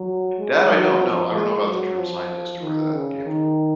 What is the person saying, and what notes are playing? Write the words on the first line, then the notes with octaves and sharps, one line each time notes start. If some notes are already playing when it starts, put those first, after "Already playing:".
That, I don't know. I don't know about the term scientist or where that came from.
Already playing: F#3
G#3
F#3
F3
G#3
F#3
F3
D#3
C#3
D#3